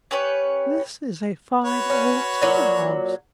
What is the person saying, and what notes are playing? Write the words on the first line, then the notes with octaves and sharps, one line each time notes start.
This is a fine old timber-house.
C#4 G4 B4 C#5
F#4 B4 C#5
C#4
A#2 F#3